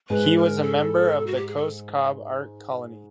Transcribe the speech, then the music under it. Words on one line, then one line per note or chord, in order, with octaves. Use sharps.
He was a member of the Cos Cob Art Colony.
G#2 G#3 B4
A#4
A4
F#4
G4
G#4
A4